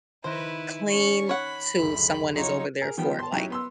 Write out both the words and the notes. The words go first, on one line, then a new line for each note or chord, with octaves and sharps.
clean to someone is over there for it, like,
D#3 E4 B4 C5 F#6 A#6
C#4 C#6
C#5 F#5 B5
F#1 D2
F#3 C#4 D#4 F4 C#5
G#4 A#4
D#3 F3 G3 B3 G5
A5 C6
F#3 C#4 D#4 E4 G4
B3 C6 E6